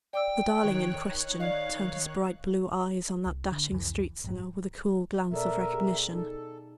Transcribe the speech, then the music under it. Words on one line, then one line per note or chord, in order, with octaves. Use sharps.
The darling in question turned his bright blue eyes on that dashing street-singer with a cool glance of recognition.
D5 G5 D6 E6
D#3 C#5 F#6
D5 D#5 F5
C2
D3
C2 F2 E3
A1 G2 F#3
B2 A4 A#4 D5 E5
G4 G#4
D#4 A4